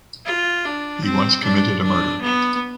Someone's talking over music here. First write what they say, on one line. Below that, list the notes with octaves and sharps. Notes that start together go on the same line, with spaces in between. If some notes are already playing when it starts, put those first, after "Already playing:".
He once committed a murder.
F4
D4
C4
D4
D4
B3